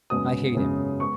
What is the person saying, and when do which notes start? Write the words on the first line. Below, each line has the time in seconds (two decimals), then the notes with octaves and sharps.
I hate him!
0.10 F#2 C#3 G#3 B3 D#6
0.55 F#2 C#3 G#3 B3
1.00 G#3 B3 C#6